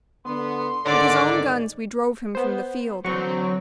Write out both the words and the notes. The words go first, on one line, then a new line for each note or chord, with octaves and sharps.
With his own guns we drove him from the field.
D3 B3 C6
G#2 D3 D#3 D5 D6
B3 C5
D3 E3 F#3 C4 C#6